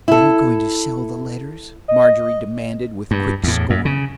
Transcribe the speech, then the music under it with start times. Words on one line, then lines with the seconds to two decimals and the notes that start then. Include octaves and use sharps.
"Were you going to sell the letters?" Margery demanded, with quick scorn.
0.08 E4 A4
1.88 D#5
3.11 G2
3.44 E2 A2
3.70 F#2
3.85 C#3